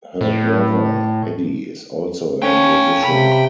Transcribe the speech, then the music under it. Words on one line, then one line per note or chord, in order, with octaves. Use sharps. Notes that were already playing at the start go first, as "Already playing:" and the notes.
Her brother, Eddie, is also a musician.
A2
C#4 F5 G5
C3 B5